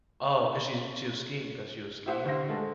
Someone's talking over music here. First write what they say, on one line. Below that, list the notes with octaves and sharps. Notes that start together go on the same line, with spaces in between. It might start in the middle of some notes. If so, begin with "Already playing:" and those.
Oh, 'cause she's she was skiing 'cause she was skiing?
E4 G4 C5 E5 F#5
D2 C5 F5 A#6
G#3 A3 A4